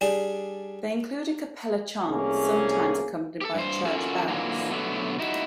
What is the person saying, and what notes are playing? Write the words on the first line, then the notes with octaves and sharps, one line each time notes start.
They include a cappella chants, sometimes accompanied by church bells.
G3 D4 G#4
C2 A3 A#3 C#4 G#4
G4 A4
G2 C5
C#4 F4 F#4 A4 A#4
A#2 D3 E3 F#3 A#3
B2 D3 F#3 A3 B3
D#4 E4 F#4